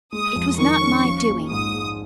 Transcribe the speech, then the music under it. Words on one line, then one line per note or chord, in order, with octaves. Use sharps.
"It was not my doing."
G#3 D#6
F2
D#3 C#6
C#4
F3
A#1
G#2 D#6
G#3